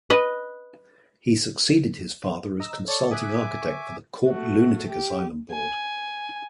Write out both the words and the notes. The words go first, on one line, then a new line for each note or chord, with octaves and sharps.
He succeeded his father as consulting architect for the Cork Lunatic Asylum board.
B4 D#5
D#5 A#5 E6
A4 C#5 D5 C#6
E5 G#5 D6 D#6 F#6 B6
C#6
A3 F#4
G4
G#5